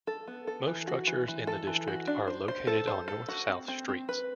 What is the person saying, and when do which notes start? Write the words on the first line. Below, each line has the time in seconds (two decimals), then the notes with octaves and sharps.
Most structures in the district are located on north-south streets.
0.07 A4
0.28 B3
0.47 A4
0.67 E3
0.87 F#4
1.07 E3
1.28 E3
1.47 A4
1.67 E3
1.88 F#4
2.07 D4
2.28 C5
2.48 C5
2.67 A4
2.87 C5
3.08 A4
3.28 F#4
3.48 C4
3.68 C4
3.89 C4
4.09 B4